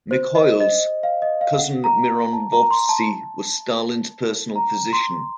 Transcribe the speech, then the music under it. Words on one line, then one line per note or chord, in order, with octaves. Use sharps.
Mikhoels' cousin Miron Vovsi was Stalin's personal physician.
C5
D#5
D#5
F5
D#5
F5
F#5
A#5
A5
A#5
C6
A5
A#5
C6